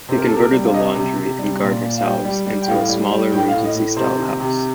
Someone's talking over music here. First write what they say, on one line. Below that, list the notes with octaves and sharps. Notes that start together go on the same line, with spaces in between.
He converted the laundry and gardener's house into a smaller Regency-style house.
C3 C5
A#4
C3 A4
A#4
G3
F5
C3 D#5
C3
C3
G3
A#2
A#2
F5
G3 G5
G3
G3
G5
A2 F5
G3
G3
A2 G5
F5
A2
D#5
A2
C3 C5
D#3
C3